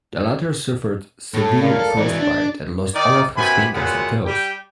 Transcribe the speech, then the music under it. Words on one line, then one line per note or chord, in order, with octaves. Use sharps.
The latter suffered severe frostbite and lost all of his fingers and toes.
A2 A4
A#4 D5 F5
A4
G#2 E3 D5
D4
D#3 D5
F#2 C3 B3 G#5 B5
A#2 F#3 G#3 B3 C4 F#5
G3 G4 G5